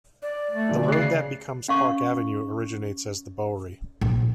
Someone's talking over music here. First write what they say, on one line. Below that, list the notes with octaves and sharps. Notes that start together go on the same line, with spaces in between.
The road that becomes Park Avenue originates as the Bowery.
D5
A3
B1 D3
C#3 F#6 C7
C#4 F5 C#6
A#1